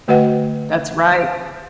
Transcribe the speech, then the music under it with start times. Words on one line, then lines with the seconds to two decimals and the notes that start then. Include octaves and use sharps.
That's right.
0.08 D3 A3 F#4 B4 D#5 F#5